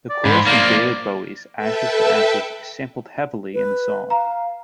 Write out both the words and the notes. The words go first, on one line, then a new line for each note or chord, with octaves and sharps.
The chorus from David Bowie's "Ashes to Ashes" is sampled heavily in the song.
D5
G#2 B5
F3 A#3 D5
A4 B4 E5 G5 A5
B4
F5 A#5